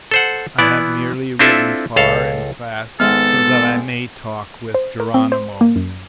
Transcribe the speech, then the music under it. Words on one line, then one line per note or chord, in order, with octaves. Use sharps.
"I have merely ridden far and fast so that I may talk with Geronimo."
A4 C5 F#5
E3 B3 E4 D5
C4 D4 E4 F4 A4 E5
C#2 A4 F5
G#1 B3 A4 F6
C5
A#4
C4
C5
A#3
F#2